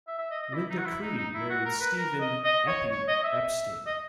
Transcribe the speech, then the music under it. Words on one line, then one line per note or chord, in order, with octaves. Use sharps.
Linda Creed married Stephen "Eppy" Epstein.
E5
E5
D#5
D#5
E4
D#4
F#4
E4
D#4
D#4
E4
F#4
A#4
B4
A#4
D#5
D#5
C#5
C#5
D#5
E5
D#5